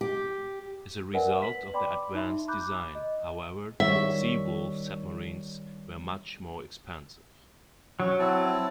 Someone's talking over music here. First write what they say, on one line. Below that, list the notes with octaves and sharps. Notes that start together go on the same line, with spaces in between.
As a result of their advanced design, however, "Seawolf" submarines were much more expensive.
G4
A#4 B4 D5 E5 F#5 G#5
B4 B6 F#7
D5 G5 B5 C6 D6
D#4 E5 C6
A#5 B5 D6 F#6 G6
D#5
D#3 G3 C#5 E5
F#3 C#4
C4 E4 A5